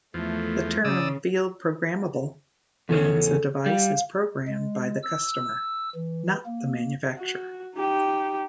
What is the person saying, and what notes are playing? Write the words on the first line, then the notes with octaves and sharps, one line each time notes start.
The term "field-programmable" means the device is programmed by the customer, not the manufacturer.
E2 F3 A3
C#3 D5 D#6 E6
E2 C#3 C#4 A4
G3 F5
G#3
E6
E3
A#3
F#4
D#4 G4